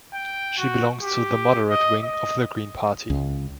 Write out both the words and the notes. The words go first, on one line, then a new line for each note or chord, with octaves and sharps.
She belongs to the moderate wing of the Green Party.
G5
F#4
G4
D#5
D#5
C#2